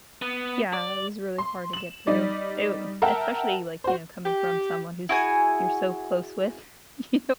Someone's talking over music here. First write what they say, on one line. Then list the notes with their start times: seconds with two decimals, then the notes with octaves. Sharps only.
Yeah, it was really hard to get through. It Especially, like, you know, coming from someone who's you're so close with you
0.22 B3
0.73 D5
1.38 C6
1.73 E7 F#7
2.07 G3 D#4 D5
3.02 A#4 E5 F#5 G5 A5 A#5
3.84 F#4 C5
4.25 G4
5.09 E4 F#4 G#4 G#5